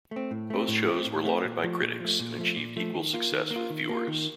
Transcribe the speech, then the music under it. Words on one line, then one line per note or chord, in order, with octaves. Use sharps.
Both shows were lauded by critics, and achieved equal success with viewers.
A3 C4
A2
A3 C4
A2
A3 C4
A2
A3 C4
A#2
F3 A3
A#2
F3 A3
A#2
F3 A3
A#2
F3 A3
D#3
A#3 F4
D#3
A#3
F4
D#3
A#3 F4
D#3